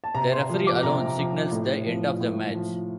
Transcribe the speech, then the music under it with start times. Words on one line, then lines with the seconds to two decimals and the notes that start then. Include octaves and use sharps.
The referee alone signals the end of the match.
0.04 A5
0.15 C3 A#5
0.32 C6
0.49 F3
0.67 D6
0.83 C3 A#5
1.18 F3
1.52 A2
1.86 F3
2.20 A2
2.55 F3